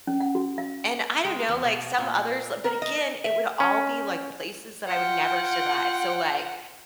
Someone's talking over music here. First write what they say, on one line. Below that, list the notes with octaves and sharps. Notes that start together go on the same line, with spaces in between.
and I don't know, like some others uh, but again, it would all be, like, places that I would never survive, so, like,
C#4
F#5
F#4
F5
G#3
E2
B2
A#2
A#4
D#5
E5
C#4
F4 F#5 G5